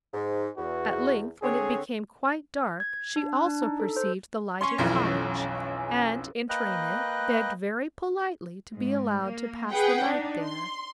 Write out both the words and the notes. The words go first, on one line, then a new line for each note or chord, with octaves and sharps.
At length, when it became quite dark, she also perceived the lighted cottage, and entering it, begged very politely to be allowed to pass the night there.
G#2
E2 F#4
D3 C4 G#4 C#5
G#6
D4
F#6
D4
D#4
A4
C5
C#4 C6 C#6
B1 F2 E3
A#3 B4 D#5 G5 F#6
G#2
A#3
G#4 B4 F#5 G5
D4 D#4
C6